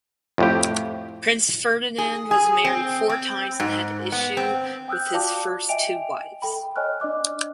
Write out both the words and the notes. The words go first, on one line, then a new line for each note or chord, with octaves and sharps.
Prince Ferdinand was married four times and had issue with his first two wives.
F2 A2 G4
G#4
G#4
C4
C4
G#2
B3
C4
G5 D#6 E6 F#6 G6
F4 F#4 D5 F5 A5 D6
D#5 E5 G5 G#5 D7 F7
A4 G5 B5
C#5 D#5 G#5 C#6 F6 F#6
D4 D5 D#5 D6 F#6